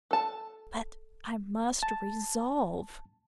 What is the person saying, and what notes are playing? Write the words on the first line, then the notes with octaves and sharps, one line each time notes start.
But I must resolve.
A4 A5
A5